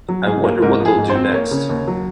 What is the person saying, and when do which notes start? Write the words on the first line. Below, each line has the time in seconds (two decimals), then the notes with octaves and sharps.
I wonder what they’ll do next!
0.09 F#3
0.26 G#2 G#4
0.44 A#3
0.62 G#2 A#4
0.80 F3
0.85 G#4
0.98 G#2
1.10 C5
1.15 C4
1.33 A#3 C#5
1.51 C#3
1.69 D#2
1.88 F#3